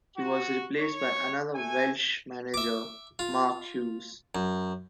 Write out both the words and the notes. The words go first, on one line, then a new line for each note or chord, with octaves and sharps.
He was replaced by another Welsh manager, Mark Hughes.
F#4
C#5
A3 G#5
E5 D6
F4
F#2